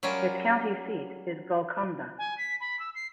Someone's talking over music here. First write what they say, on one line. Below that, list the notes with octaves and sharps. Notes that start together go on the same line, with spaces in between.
Its county seat is Golconda.
F#3 G3 C#4 F4 A#4
G#5
B6
B5
E6
C7